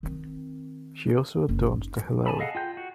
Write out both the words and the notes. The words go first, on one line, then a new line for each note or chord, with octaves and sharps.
She also adorned the Hello!
D#3 C4
F#1
D#4
G#5 A5 B5
G#4 A4 D#5 F5 F#5
F4 G5 G6
F#4